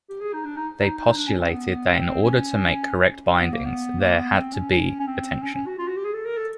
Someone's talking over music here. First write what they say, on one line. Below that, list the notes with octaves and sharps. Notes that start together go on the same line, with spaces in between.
They postulated that in order to make correct bindings there had to be attention.
G4
G#4
D#4
D4
D#4
D#4
D#4
D4
C#4
C4
B3
C4
C#4
C4
B3
A#3
B3
A#3
B3
C4
C#4
C#4
C#4
C4
C#4
C#4
F#4
F4
F#4
G4
G#4
A4
A#4
A4